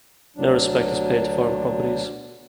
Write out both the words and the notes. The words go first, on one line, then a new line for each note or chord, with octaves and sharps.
No respect is paid to foreign properties.
D2 F#3 D4